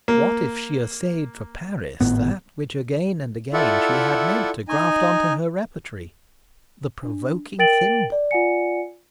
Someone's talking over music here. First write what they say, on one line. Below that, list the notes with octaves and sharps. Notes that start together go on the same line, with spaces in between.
What if she essayed for Paris that which again and again she had meant to graft on to her repertory--the Provoking Thimble?
A#3
G#1 A2 B3
E4 F4 A4 D5 E5 F#5
D#4 D#5 G#5
D4
A#4 G5 A6 D7 F#7
D5
F4 D5 F#5 G#5 C#7